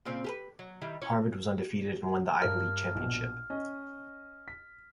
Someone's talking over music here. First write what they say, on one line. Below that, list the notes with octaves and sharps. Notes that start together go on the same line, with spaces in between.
Harvard was undefeated and won the Ivy League championship.
A#2 C#3 C4
G4 G#4 B4
F#3
D#3 G3 E4
C#4 E4 C#5
G2 A#4 F6
A#1 B2
C#4 D#5
B6